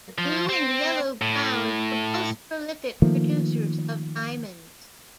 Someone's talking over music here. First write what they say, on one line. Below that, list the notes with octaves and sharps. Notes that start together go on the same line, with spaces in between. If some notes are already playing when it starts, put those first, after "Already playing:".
The blue and yellow ground were both prolific producers of diamonds.
F3
C4
A2
D#3 F3 A3 A#3